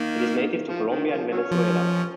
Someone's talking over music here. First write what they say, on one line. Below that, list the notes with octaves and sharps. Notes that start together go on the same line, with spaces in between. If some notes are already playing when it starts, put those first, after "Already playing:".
It is native to Colombia and Venezuela.
Already playing: D#3 A#3
F3
D#3
F3
F#3 C#4
F3